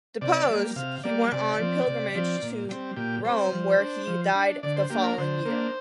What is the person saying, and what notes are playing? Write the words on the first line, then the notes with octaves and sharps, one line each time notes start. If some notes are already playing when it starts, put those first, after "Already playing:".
Deposed, he went on pilgrimage to Rome where he died the following year.
C3 D5
G3 A#3
C3 F5
G3 A#3 D5
C3 D5
F3 C4
C3
F3 C4
A#2
G3 C4
A#2 G4
G3 C4 C5
F3
D4
F3
D4
D3 D5
C5
A#3 D4 G4
A#4
D3 C5
A#3 D4